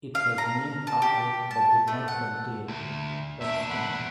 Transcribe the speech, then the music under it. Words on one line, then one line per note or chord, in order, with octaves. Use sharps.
It was named after but did not contain Penistone.
F5
A#5
A5
G4
A5
A3
F#5
D2
E2 D4 E5
F#5 B5